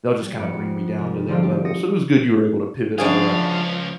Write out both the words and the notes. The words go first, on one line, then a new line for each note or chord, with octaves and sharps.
they'll just kinda bring me down to their level." So it was good you were able to pivot out of that.
G3
F2 B3 D6 C#7
C2
D3 F3 G3 C4 F4
G4
D#6 A#6 C#7
C#2 F#2 F3 D4 G#4 F5